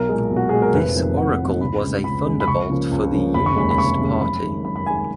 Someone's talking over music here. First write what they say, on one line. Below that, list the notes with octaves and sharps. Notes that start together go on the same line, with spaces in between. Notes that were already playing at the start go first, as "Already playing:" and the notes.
This oracle was a thunderbolt for the unionist party.
Already playing: B1 A#4
A#2 G#3
B1
F#4
A#2 G#3 G#4
A#4
F1 B4
F2 D#3 A#3
F1 F#5
F2 D#3 A#3
C#2 B5
C#3 G#3
C#2 B5
C#3 G#3
B5
C#2 C#6
C#3 F3 A#3
C#2
C#3 F3 A#3
F1 B5
C#6
D#2 C#3 G#3 B5
B5
F1 C#6
D#2 C#3 G#3
F#2 B5
D#3 G#3
F#2 B5
B5
D#3 G#3 G#5
G#5